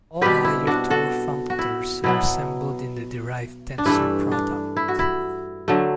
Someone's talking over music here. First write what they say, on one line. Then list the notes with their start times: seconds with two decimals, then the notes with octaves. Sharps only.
All higher Tor functors are assembled in the derived tensor product.
0.21 B2 G3 C4 G4 B4
0.45 E4
0.67 D4 F#4
0.90 F#4 A4
1.50 F#4
1.59 E4
2.04 B2 F#3 B3 E4
3.78 D4
3.86 G2 E3 A3 E4
4.32 D4
4.77 E4
4.88 F#4
4.99 E4
5.68 D3 F#3 A3